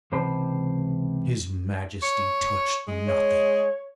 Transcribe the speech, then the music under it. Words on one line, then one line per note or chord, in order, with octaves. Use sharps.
His Majesty touched nothing.
C#2 C3 E3 C5 A5 B5
C#5
G#3
C#5